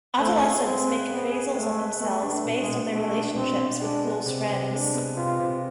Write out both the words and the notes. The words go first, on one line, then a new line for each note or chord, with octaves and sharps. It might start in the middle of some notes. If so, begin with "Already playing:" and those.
Adolescents make appraisals of themselves based on their relationships with close friends.
A3 C4
G#4
G#3 C4
B4
B3 C4
G#4
G#3 A3
B4
A3 B3
D4
A3
B2
G#3
B2
A3 B3
D4
B2 C4
B2
G#3 D4
B3
C3
C3
G#3 D4
B3
C3 F4
C3